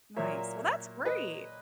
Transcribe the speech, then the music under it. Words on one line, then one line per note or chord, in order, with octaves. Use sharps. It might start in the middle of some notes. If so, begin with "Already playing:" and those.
Nice. Well, that's great.
A#2 F#3 A#3 C#5 E5
B4 D#5